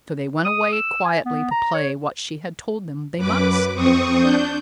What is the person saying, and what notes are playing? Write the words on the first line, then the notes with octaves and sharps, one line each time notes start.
So they went away quietly to play what she had told them they must.
D#6
E6
G#5
B3
A#5
C#5
F#2 B4 D6
F2 C4 C#6 D#6
D4 G6